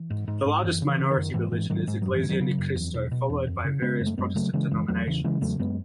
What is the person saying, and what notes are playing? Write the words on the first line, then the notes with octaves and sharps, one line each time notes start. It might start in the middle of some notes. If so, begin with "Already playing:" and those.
The largest minority religion is Iglesia Ni Cristo followed by various Protestant denominations.
Already playing: E3
G#2
G#2
G#2
F#2 E3
C#3
E3
C#3
D#3
F#2
G#2 E3
G#2 E3
G#2 D#3 F#3
G#2 G#3
F#2 F#3
E3
C#3
D#3 F#3
C#3
F#2
E2
B2
B2
E2
F#2
C#3
C#3 G#3 B3
F#2
A3
F#2 G#3 B3
C#3 F#3 A3
C#3 E3 G#3
F#2 E3 G#3
E2 F#3 A3
C#3 E3
C#3 E3 G#3
E2 F#3 A3
F#2 G#3 B3